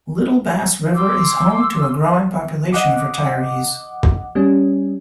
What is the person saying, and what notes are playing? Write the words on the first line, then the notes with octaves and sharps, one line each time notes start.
Little Bass River is home to a growing population of retirees.
C6 D6 E6
D#5 F#5 D6
G3 C#4